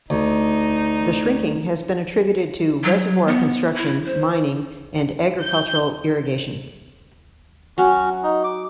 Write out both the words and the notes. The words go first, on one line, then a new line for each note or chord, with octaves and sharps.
The shrinking has been attributed to reservoir construction, mining, and agricultural irrigation.
D2 D#4
F#3
B3
E4
C5
G6
F#3 C#4 F#4
D#4
D6